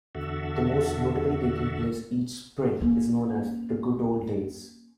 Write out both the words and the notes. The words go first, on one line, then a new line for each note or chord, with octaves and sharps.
The most notable taking place each spring, is known as "The Good Ole Days".
E2 D3 F#4 A4 E5
A#3 C#4